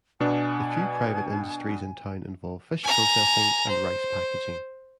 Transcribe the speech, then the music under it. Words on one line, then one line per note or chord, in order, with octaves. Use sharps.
The few private industries in town involve fish processing and rice packaging.
B2 B3 D4 G#5
G#5 A#5
C5